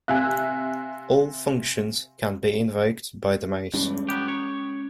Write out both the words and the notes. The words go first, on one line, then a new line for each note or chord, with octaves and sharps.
All functions can be invoked by the mouse.
C3 E5 F5 G#5 F#6
E2 G2 G#3 C#4
F#3 B3 G4
C#5